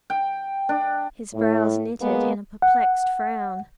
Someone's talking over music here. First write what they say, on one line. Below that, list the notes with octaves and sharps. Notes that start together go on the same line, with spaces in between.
His brows knitted in a perplexed frown.
G5
D4
A2
G#3 A#3 B3 G#4
F#5